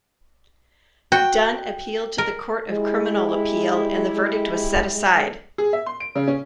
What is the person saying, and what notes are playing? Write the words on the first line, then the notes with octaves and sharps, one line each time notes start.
Dunn appealed to the Court of Criminal Appeal and the verdict was set aside.
F#4 G5
A#4
G#3 E4 G4
G#4
E5
C6
D7
C#3
C#4